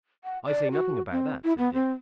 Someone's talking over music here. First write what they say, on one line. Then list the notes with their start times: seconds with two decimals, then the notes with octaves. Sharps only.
"I say nothing about that," said Dick.
0.24 F#5
0.45 D5
0.72 F#4
1.11 C4
1.44 E4
1.58 B3
1.73 C4